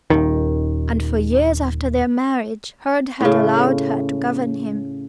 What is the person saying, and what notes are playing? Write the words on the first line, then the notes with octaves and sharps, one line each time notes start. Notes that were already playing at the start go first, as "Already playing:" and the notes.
And for years after their marriage Hurd had allowed her to govern him.
D#1 A#1 D#2 D#3
A2 C#3